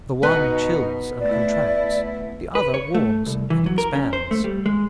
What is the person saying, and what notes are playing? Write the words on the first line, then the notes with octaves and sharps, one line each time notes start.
The one chills and contracts, the other warms and expands.
B2 B3 D#4 B4
A3 E4 D5
B4
C#5
A3
C2
E3
F#3
A#4
C#4
C5
A3
G3
G#3